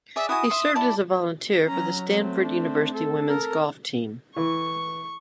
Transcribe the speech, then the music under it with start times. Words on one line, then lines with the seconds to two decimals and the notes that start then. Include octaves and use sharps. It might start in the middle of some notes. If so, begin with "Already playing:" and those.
He served as a volunteer for the Stanford University women's golf team.
0.16 G#4 D5 E5
0.29 E4 F#4 G#5 D#6
0.50 E5 C6
0.75 E4 D5 A5
1.66 F#3 C#4 A#5
2.11 A3 C4
2.41 D4
2.93 A4
3.28 A#4
4.36 E3 C#6